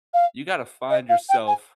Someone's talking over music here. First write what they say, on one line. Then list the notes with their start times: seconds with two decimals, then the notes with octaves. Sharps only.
You gotta find yourself
0.14 F5
0.90 D#5
1.09 F5
1.29 G5
1.47 G#5